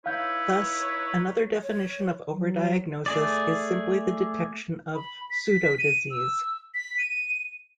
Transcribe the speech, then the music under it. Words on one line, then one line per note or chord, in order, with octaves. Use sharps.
Thus, another definition of overdiagnosis is simply the detection of pseudodisease.
D#4 E4 B4 C#5 F5 G6
C#5
F#3
A3 G#4 D5
B5
B6
D#7
E6
B6
D#7